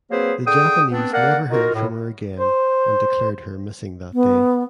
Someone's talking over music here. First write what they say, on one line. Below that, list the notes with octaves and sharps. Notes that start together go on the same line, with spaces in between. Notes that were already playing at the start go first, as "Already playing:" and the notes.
The Japanese never heard from her again and declared her missing that day.
F#3 A#3 C4 G#4 B4 C5
D3 G#4 G5 D#6
B3 C4 D4
A#3 A#4 D5 F#5
D#4 F4 F#4 A#4
A2
C5
B3